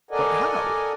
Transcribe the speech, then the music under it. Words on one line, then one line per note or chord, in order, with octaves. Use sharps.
"But how?"
A4 A#4 D5 D#5 F#5 G#5